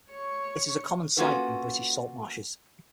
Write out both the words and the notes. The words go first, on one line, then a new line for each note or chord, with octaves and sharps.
It is a common sight in British salt marshes.
C#5 C#6
A#3 C#4 F4 F#4 A4 B4